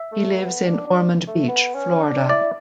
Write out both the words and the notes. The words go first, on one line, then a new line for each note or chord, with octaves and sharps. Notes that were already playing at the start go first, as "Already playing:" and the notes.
He lives in Ormond Beach, Florida.
Already playing: E5
A3
B3
D4
D4
A3
B3
C#4
D4
E4 D5